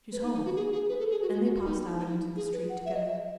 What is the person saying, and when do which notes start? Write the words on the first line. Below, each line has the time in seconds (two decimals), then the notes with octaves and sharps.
"She's home!" And they passed out into the street together.
0.12 B4
0.23 D#4
0.34 D#4
0.45 F#4
0.56 G#4
0.72 G#4
0.89 B4
1.00 A4
1.11 G#4
1.22 F#4
1.33 F#4
1.44 F#4
1.55 F#4
1.65 D#4
1.87 E4
1.98 D#4
2.09 E4
2.37 G#4
2.53 B4
2.69 F#5
2.86 E5
2.94 D#5
3.03 E5